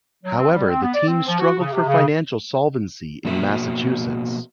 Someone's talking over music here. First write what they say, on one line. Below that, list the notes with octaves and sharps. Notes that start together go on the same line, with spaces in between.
However, the team struggled for financial solvency in Massachusetts.
F#3
C4
G3
C4
B3
D5
C4
F3
F#4
C#3
C3
C#3
B2 F3 A#3 F#4 E5